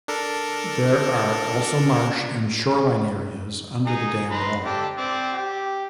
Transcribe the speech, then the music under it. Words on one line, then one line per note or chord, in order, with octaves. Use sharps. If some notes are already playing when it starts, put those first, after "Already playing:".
There are also marsh and shoreline areas under the dam wall.
D4 A4 A#4
D#4 G#4
B4 A#5 C6
D4 G4 A4
C4 D5
G4